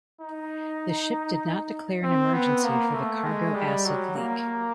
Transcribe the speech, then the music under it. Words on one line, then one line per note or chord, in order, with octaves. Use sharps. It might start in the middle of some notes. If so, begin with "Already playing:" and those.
The ship did not declare an emergency for the cargo acid leak.
D#4
C4
B3
A#3
A3
G#3
G3
F#3
A#3